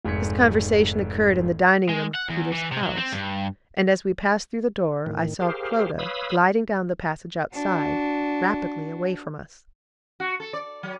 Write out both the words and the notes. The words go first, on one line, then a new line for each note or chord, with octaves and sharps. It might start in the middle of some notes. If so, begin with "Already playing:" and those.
This conversation occurred in the dining-room of Peters' house: and as we passed through the door, I saw Clodagh gliding down the passage outside--rapidly--away from us.
F1 G#2 G#6 B6 C#7
G#3
F#5
E2
E3
C3
F#3
C4
G2
A2 D#3
G4 G#4 A#4 C5 F5
B4 C#5 F5 B5 D#6 E6
D4 F#4
F#4
A4
D5
F#3